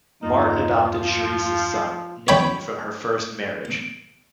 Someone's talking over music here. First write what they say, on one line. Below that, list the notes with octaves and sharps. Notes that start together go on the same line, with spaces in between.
Martin adopted Charisse's son, Nicky, from her first marriage.
E2 G2 A#3 D#4 F4
F3
C#5 G5 B5